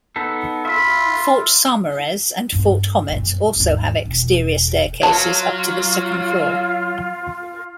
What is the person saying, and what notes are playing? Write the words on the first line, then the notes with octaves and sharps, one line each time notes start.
Fort Saumarez and Fort Hommet also have exterior staircases up to the second floor.
B3 D#4 A4
F4 E5 B5
G2 B3
F#2 A#2
D#2 G#2
E1
F#3 F4 A5